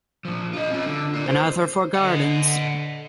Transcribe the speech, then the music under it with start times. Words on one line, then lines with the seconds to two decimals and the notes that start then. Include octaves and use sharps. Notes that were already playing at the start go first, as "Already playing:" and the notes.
Another for gardens.
0.25 A#2 F3
0.53 F4 D#5
0.71 C#4 F4
0.84 D3
1.13 A#3 F4
1.26 C5
1.95 D3 D#5 F#5